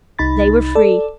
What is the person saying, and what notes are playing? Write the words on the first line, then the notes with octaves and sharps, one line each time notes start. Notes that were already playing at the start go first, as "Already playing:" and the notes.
They were free.
C2 D#4 B5 A6
A4 D5